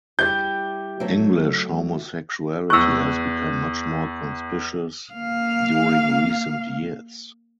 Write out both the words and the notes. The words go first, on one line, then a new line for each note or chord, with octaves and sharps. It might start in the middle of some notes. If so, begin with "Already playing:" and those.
English homosexuality has become much more conspicuous during recent years.
G3 E4 G4 G6
F#3 A3
E2 C#6 E6 F#6
A#3 F5